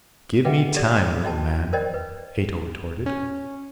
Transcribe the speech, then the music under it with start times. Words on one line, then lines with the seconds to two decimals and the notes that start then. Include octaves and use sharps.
"Give me time, little man," Ato retorted.
0.45 G#4 B4 D#5 E5 F#5 G5
0.74 G4 A4 D5
1.23 F#4 D#5 G5 A5
1.73 A#4 C5 D5 D#5 G5
1.94 B4
3.06 C#4